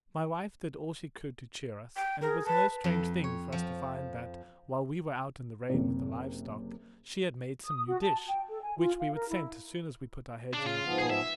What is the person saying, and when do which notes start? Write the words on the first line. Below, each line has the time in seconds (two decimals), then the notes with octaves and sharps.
My wife did all she could to cheer us, and it was no strange thing for us to find that while we were out in the rain with the live stock, she had made some new dish, which we would scent as soon as we put our heads in at the door.
1.96 G5
2.21 G#4 A#4
2.45 B4 A5
2.84 F2
3.24 C#5
3.52 F3
5.70 F#1 C3
7.64 D#6
7.86 F#4
8.02 A5
8.28 G5
8.49 A4
8.62 G#5
8.78 F4
8.99 F5
9.14 A#4
9.29 E4
10.53 C#3 D4
10.66 F4
10.84 G#2 F3 B3
10.98 G#4 G#5
11.10 E5